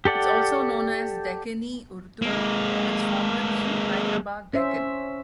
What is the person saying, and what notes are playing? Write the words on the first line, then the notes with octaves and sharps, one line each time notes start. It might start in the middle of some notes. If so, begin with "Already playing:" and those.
It is also known as "Deccani Urdu" from its former name Hyderabad Deccan.
G4 A4 D5 F#5 G5
G#3 A#3
C#4 C5 E5